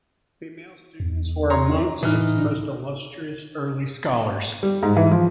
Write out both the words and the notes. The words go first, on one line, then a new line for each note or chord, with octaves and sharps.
Female students were amongst its most illustrious early scholars.
E2
C#5 A#5 C6
A2 E3 D#4 F6
G3
G#2
E3
F3